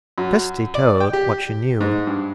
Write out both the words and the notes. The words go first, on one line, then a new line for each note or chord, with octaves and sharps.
Kirsty told what she knew.
F#2
D5
G5
G4
G#2
G2